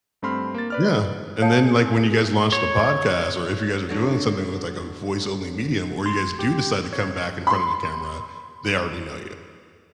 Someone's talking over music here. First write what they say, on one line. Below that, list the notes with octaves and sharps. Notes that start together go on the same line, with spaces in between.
Yeah, and then, like, when you guys launch a podcast, or if you guys are doing something with, like, a voice-only medium, or you guys do decide to come back in front of the camera, they already know you.
G2 A3 C4 B5 C6 F6
A#3 A6
B4 D5 F6
G#4 C#5 F5 A5
C#5
D3 F#3 D4
C6
G4
C#5
B5 C6